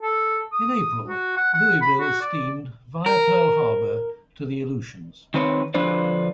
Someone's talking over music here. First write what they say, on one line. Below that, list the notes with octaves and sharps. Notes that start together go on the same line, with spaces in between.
In April, "Louisville" steamed, via Pearl Harbor, to the Aleutians.
A4
D#6
F#4
F#5
F#5
B5
F#4
D5
A#4
D#3 C4 B4 C#5
D3 F3 D4 B4 C5 D5